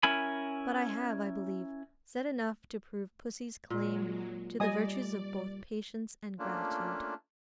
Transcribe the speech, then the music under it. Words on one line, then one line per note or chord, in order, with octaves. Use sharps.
But I have, I believe, said enough to prove pussy's claim to the virtues of both patience and gratitude.
C#4 E4 A#4 G#5 B5
A#2 F#3 G#3
G3 D5 D#5 G#5 D#6
A3 A#3 C#4 D4 F4